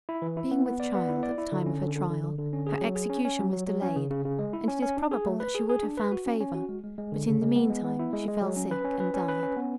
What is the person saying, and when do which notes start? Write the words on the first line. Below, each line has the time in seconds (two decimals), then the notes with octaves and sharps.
Being with child at the time of her trial, her execution was delayed; and it is probable that she would have found favor, but in the mean time she fell sick and died.
0.09 E4
0.22 E3
0.37 E4
0.51 B3
0.66 B3
0.80 D5
0.95 B3
1.09 E4
1.23 D5
1.38 E4
1.52 D3
1.66 C#4
1.81 D3
1.95 D3
2.10 D3
2.24 D3
2.38 D3
2.53 C#4
2.67 G#4
2.81 F#3
2.95 G#4
3.10 C#4
3.25 C#4
3.39 F#3
3.53 F#3
3.67 F#3
3.82 C#4
3.96 C#3
4.10 C#3
4.25 C#3
4.39 G#3
4.53 E4
4.68 C#4
4.82 C#4
4.97 D4
5.11 G#4
5.26 A3
5.40 B4
5.55 G#4
5.69 G#4
5.83 D4
5.97 B4
6.12 F#4
6.26 C#4
6.40 C#4
6.54 F#4
6.69 G#3
6.84 G#3
6.98 G#3
7.12 D3
7.27 C#3
7.42 G#3
7.56 B3
7.70 G#3
7.84 B3
7.99 E4
8.13 G#3
8.28 G#3
8.42 F#3
8.57 C#4
8.71 B4
8.85 C#4
9.00 B4
9.14 C#4
9.28 B4
9.43 C#4
9.57 B3